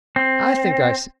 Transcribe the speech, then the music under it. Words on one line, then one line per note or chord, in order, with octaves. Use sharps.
I think I see.
C4